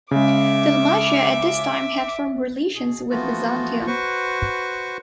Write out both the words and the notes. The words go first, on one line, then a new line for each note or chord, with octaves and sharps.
Dalmatia, at this time, had firm relations with Byzantium.
C#3 G#3 E5 D6
B2 G#4
E3 F3 A3 B3 F4 F#4
F#4 B4 C5 C#6